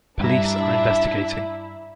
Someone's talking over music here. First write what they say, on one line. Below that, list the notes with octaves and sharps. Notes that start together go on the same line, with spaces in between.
Police are investigating.
G2 D4 E4 E5 A#5